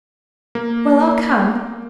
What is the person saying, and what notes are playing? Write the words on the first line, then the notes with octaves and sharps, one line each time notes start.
Well, I'll come.
A#3